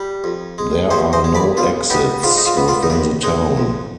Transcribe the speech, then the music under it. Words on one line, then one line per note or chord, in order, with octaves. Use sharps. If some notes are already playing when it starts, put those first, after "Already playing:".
There are no exits within the town.
Already playing: G3
F2
G#3
D#2 G#4 C5
C5 D#5
G#3
B4 D5
B1 D4 F4
B3 D#4 G4
G#2 D4 F4
D#4
D4 F4
B3
D4 F4
D#4
D#2 D4
G#3 D#4
F2